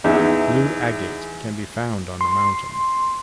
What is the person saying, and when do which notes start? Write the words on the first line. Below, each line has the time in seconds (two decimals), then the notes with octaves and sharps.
Blue agate can be found on the mountain.
0.04 E2 D#4 E5
2.21 C6